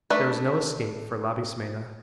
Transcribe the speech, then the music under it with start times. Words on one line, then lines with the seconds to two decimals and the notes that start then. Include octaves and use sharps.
There was no escape for Labismena.
0.10 A3 D4 B4